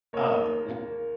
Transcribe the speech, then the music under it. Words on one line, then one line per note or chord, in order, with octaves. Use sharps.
Uh, w
A#3 A#4 C#5
D#2
A#3
A#3